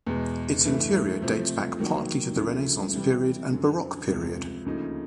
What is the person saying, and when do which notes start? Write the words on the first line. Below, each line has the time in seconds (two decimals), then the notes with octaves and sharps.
Its interior dates back partly to the Renaissance period and baroque period.
0.06 E2 B2 G#3
0.64 G2 E3 A3
1.22 C3 F3 A3 C4
1.79 D#3 F#3 A#3
2.36 D2 C#3 F3
2.93 C3 E3 G3
3.50 F#2 D3 F#3
4.08 C#2 C3 F3
4.65 D2 C#3 F3 A#3 D#4